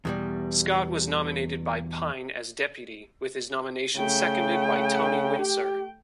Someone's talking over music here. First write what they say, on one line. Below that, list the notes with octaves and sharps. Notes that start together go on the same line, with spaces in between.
Scott was nominated by Pyne as Deputy; with his nomination seconded by Tony Windsor.
E2 B2 G3
C#3 A3 G5
G4